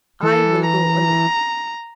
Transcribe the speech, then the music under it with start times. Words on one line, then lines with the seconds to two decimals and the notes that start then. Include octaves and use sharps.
"I will go alone."
0.23 E3 A4
0.66 A#5